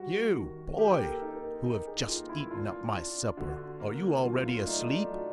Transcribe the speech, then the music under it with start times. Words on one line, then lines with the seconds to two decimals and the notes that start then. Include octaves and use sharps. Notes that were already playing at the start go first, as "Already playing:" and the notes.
"You, boy, who have just eaten up my supper, are you already asleep?"
Already playing: G3 F#4
0.34 D#3
0.78 A#3 G4
0.98 A#4
1.07 A4
1.22 D#4
1.36 A#4
1.64 D#4 A#4
1.86 G#4
2.07 A#3 F4
2.29 E4
2.51 D4 F4
2.94 D4
3.37 D3 F#4
3.80 A#3
4.24 F#3 F4
4.45 F4
4.62 D4
4.67 A3 D#4
4.89 D4
5.10 F#3